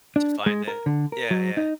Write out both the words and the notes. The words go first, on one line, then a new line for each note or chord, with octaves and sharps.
To find it. Yeah, yeah.
D4
G#3
A#4
D3
A#4
F#3
D#4